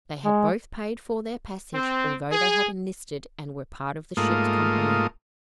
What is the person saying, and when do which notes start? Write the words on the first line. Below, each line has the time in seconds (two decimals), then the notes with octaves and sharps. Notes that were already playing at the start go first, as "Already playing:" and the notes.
They had both paid for their passage, although they had enlisted and were part of the ship's company.
0.25 G#3
1.74 C4
2.32 G#4
4.17 G#2 A3 A#3 F4 D#6